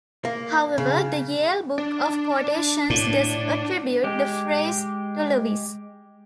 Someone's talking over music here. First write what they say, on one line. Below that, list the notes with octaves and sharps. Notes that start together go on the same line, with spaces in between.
However, the "Yale Book of Quotations" does attribute the phrase to Lewis.
A#3
C#3
D4
A2
G#3 G4